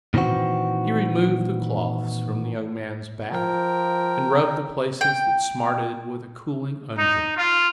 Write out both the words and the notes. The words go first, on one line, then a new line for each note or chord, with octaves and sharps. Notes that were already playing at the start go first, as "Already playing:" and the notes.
He removed the cloths from the young man's back, and rubbed the places that smarted with a cooling unguent.
A#2 D#3 E3 C4 F#4
F3 A#4 G5
G5
D#4
F4